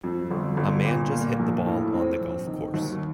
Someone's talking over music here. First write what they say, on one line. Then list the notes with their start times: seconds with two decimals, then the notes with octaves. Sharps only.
A man just hit the ball on the golf course.
0.04 F2
0.31 G1
0.57 G1
0.85 A#2
1.12 A#3
1.39 A#1
1.66 A2
1.94 C4
2.21 A#1
2.47 D#3
2.74 D#2